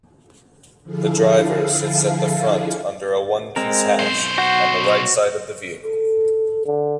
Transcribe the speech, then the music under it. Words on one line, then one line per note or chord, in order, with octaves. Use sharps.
The driver sits at the front under a one-piece hatch on the right side of the vehicle.
D3 F3 E4 G#4 A4 F5
G#3 C4 A#4
B1 C5
F#4 F#5 G6
A4
D3